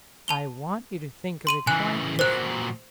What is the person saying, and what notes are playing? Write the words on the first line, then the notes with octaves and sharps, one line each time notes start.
I want you to think of it quite differently.
A5 F7 G7
C6 D#7 F#7
C#3 E3 G#5 F#6
A#2 F#3 C5 F#6